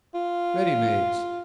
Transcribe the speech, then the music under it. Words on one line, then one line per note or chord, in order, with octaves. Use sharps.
Ready mades.
F4